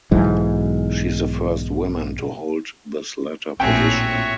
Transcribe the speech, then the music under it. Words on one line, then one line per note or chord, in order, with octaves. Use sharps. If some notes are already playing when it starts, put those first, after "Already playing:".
She is the first woman to hold this latter position.
B1 G#2 E3
A#1 A2 C4 F#4 C#5 E5 G5 G#5